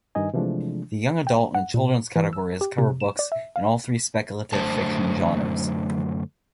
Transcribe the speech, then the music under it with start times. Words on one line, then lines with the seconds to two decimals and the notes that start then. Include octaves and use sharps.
The Young Adult and Children's categories cover books in all three speculative fiction genres.
0.15 G2 D#3 D#4 D#5 G#5
0.34 C3 E3 F3 G#3 A3 D4
1.27 G5
1.55 F#5
1.74 A#2
2.16 E3
2.33 E6
2.61 G4
2.78 C3
3.00 E7
3.19 D5
3.32 E5
3.56 F5
4.53 F#2 D3 D#3 A3 C5 A5